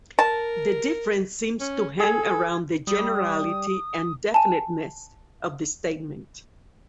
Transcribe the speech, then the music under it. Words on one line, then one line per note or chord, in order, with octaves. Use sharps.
The difference seems to hang around the generality and definiteness of the statement.
A#4 A5
C#4
G#4 A4 G#5
G3 D#6
G#5 A5